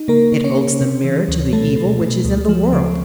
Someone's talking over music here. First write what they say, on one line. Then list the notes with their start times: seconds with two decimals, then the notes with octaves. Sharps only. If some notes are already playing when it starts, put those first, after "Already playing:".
It holds the mirror to the evil which is in the world.
Already playing: D#4
0.08 C#3 A#3 A#4
0.32 C#3
0.44 C#4 C#5
0.57 C#3
0.81 C3
1.04 E3
1.28 D2
1.53 B2 A3 A4
1.77 B2
2.01 B2
2.25 D2
2.49 F3
2.73 C#3